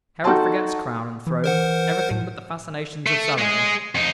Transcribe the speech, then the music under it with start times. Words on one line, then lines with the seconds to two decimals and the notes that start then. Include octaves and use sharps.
Herod forgets crown and throne,--everything but the fascinations of Salome.
0.24 D#4 F#4 A4 G5 A5 C6
1.27 E3
1.44 A#4 C5 F#5
2.11 A2
3.06 A3
3.38 G#3 G#4
3.95 F2 D#4